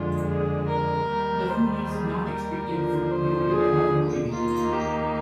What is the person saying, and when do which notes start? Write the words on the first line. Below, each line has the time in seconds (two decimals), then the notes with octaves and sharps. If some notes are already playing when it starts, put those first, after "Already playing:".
The fool is not expected to "know better" or "know" anything.
Already playing: F2 D3 G#3 F4
0.28 G#4
0.68 A#4
1.09 D#2 D#3 G3
1.50 C5
1.90 G#4
2.30 A#4
2.71 D#2 D3 F3
3.11 C5
3.51 G#4
4.32 D#2 D#3 A#3 D#4 F4
4.72 G4